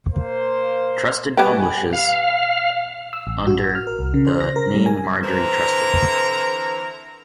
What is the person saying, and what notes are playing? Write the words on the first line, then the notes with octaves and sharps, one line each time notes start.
Trusted publishes under the name Marjorie Trusted.
A#3 C5
G3 B3 G4 B4 G#5
F5
E6
A1
F#4
F6
A#4
C2
C#3
C5
A#6
A#4
G3
G#5
D3 E3 C4 E4 A#4 A#5